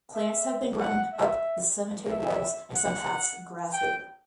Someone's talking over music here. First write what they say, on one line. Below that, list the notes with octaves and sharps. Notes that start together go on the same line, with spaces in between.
Plants have been grown up the cemetery walls and some paths grassed over.
E5
F#5
E5
E5
F#5
G5